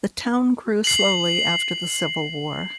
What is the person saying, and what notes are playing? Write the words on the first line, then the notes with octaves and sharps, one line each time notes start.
The town grew slowly after the Civil War.
C7 F#7